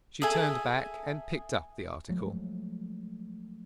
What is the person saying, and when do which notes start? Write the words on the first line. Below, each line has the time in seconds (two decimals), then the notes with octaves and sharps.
She turned back and picked up the article.
0.22 G#4 A4 E5 G#5
2.09 F3 F#3 G#3 A3